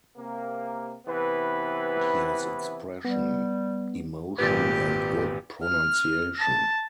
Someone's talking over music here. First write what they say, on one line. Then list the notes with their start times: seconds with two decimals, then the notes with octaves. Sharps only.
He has expression, emotion and good pronunciation.
0.17 C3 A#3
1.06 C3 E3 B3 E4 B4
3.05 G3 B3
4.38 G#1 A#2 G4 B4
5.64 F6
6.39 A5